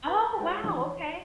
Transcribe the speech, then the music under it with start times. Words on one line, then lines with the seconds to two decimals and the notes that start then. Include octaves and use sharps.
Oh, wow. Okay.
0.07 B4 B5 C#6 G6 A6
0.38 G#3 F#4 B4 C#5 F#5 G5
0.64 E3 F3 D4 D#4 F#4
0.82 C#5